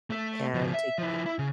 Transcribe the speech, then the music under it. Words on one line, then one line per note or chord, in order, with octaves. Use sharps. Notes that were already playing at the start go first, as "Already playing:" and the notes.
and take the
A3 A4
C#3 F3
E5
F3 E4
E4
C#3